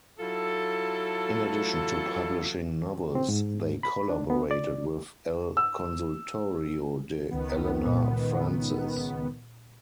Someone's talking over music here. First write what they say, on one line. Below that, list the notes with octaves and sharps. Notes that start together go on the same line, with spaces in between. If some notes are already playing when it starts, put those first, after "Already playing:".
In addition to publishing novels, they collaborated with El Consultorio de Elena Francis.
F#3 E4 F4 A4
C4
G#2
B5
D4
B3
D5
E6
C#2 D#3 B3
A#2